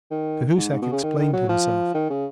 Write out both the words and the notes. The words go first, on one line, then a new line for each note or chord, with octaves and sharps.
Cahusac explained himself.
D#3
G#2
G#2
B2
C#3
D#3
D#3
F#3
F3
D#3
C#3